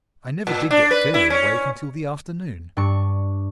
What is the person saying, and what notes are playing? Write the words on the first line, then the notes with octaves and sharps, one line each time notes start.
I never did get fairly awake until the afternoon.
A#2
D4
B4
E4
C#4
G2 D4 C#6